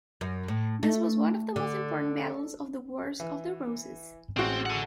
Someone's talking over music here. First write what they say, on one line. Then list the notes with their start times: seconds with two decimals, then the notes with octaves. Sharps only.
This was one of the most important battles of the Wars of the Roses.
0.21 F#2
0.48 A2
0.83 A3
1.56 D3
3.20 E3
4.37 A1 G#3 C4 F#4
4.66 A4 F#5